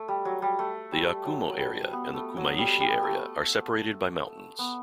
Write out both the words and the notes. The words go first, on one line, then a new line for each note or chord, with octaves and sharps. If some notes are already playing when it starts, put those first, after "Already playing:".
The Yakumo area and the Kumaishi area are separated by mountains.
Already playing: A3
G3
F#3
G3
A3
G3
F#3
F#3
G3
B3
A3
F#3
G3
G3
A3
B3